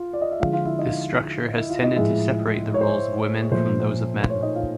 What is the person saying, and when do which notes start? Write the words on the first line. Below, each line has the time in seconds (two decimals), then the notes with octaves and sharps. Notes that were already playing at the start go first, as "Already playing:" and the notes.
This structure has tended to separate the roles of women from those of men.
Already playing: F4 F5
0.13 D5
0.21 D#5
0.32 E5
0.40 D3 F3 G#3 F4 F5
0.53 F4 F5
0.66 E4 E5
0.79 D#4 D#5
1.57 E4 E5
1.70 F4 F5
1.82 D#4 D#5
1.96 A2 F3 G#3 E4 E5
2.74 C#5
2.81 C5
2.89 C#5
3.51 A#2 F3 A3 C5
4.21 C5
4.30 C#5
4.43 D#4 D#5
4.55 F4 F5